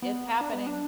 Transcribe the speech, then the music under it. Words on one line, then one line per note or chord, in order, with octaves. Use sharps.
It's happening.
B3
D4
B3
D4